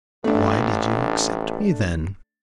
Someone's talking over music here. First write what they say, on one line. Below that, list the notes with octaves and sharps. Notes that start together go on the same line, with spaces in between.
"Why did you accept me then?"
A1 A3 D4